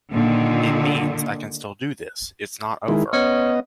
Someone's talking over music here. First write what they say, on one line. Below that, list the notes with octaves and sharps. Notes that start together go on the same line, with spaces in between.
It means, I can still do this, it's not over.
A#2 D3 D#3
D#3 G#3 E4
B3 C#4 D#5